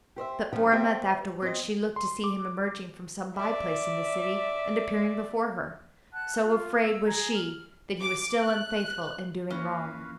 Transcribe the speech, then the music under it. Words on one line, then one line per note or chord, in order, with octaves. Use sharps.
But for a month afterwards, she looked to see him emerging from some by-place in the city, and appearing before her; so afraid was she that he was still unfaithful, and doing wrong.
G4 C5 D#5 E5
G2 C#3 F3 G3 A3
B3 G4 C5 E5
C4 D#5
C6
D6
D5 E5
F#5 A5 F#6
F4
E6
G#4 A#5 G#6
F6
D6
F#6
F2 E3 A#3 C#4 F4 B4 F5